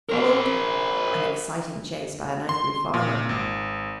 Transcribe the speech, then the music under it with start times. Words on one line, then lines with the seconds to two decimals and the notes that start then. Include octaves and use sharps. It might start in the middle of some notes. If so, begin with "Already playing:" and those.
Followed--an exciting chase by an angry farmer.
0.09 A#4 C5
2.49 C6
2.94 A#2
3.29 G#1